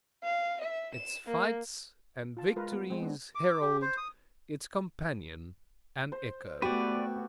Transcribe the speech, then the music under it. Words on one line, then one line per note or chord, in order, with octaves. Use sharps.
Its fights' and victories' herald, its companion and echo.
F5
E5
E7
A#3
F4 A5
G#3 F4 A#4 B4
B3
G#3 C4
B3 D4
D6
G4
C5
D#6
C5
A3 B3 F#4 G4 B4 D5